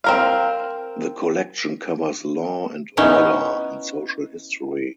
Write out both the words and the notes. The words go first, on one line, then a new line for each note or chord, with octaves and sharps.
The collection covers law and order, and social history.
C4 A#4 F5
B3 C#4 D#4 E4